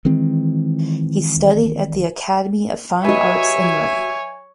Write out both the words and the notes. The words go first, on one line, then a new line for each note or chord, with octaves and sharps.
He studied at the Academy of Fine Arts in Rome.
D#3 E3 G#3 C4
F#3 G4 B4 C#5 D#5 E5 G#5